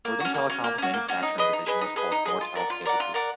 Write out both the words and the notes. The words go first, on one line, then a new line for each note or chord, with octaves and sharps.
Northern Telecom's manufacturing division was called Nortel Cable Group.
A#3
C#4 F#4
A#3
C#4 F#4
A#3
C#4 F#4
A#3
C#4 F#4
D#4
G#4 B4 D#5
D#4
G#4 B4 D#5
D#4
G#4 B4 D#5
D#4
G#4 B4 D#5
F4
A#4 D5 F#5
F4
A#4 D5 F#5
F4
A#4 D5 F#5